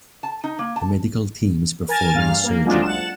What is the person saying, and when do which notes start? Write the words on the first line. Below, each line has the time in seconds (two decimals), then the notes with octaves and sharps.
A medical team is performing a surgery.
0.23 A5
0.44 D#4
0.59 A#3
0.76 A5
1.88 A#4 G#5 A5 A6
2.14 G2 F5 F6
2.44 A#3
2.64 F#3 G#3 A3 C4 D4 F4
2.82 F#5 A5 E7